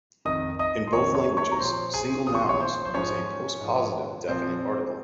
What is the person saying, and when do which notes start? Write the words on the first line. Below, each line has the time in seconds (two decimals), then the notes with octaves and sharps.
In both languages, single nouns use a postpositive definite article.
0.25 F2 D#3 D#5 D#6
0.59 D#5 D#6
0.87 C6
0.93 F2 D#3 C#5 C#6
1.15 C#5 C#6
1.37 C#5 C#6
1.52 A#5
1.60 A#2 F3 C5 C6
1.94 G#4 G#5
2.27 A#2 F3 D#6
2.35 C#6
2.42 C6
2.49 C#5 C#6
2.60 C5 C6
2.85 C5
2.94 G#2 F3 C#4 C#5
3.61 G#2 F3
4.28 A#2 F3 C4 C5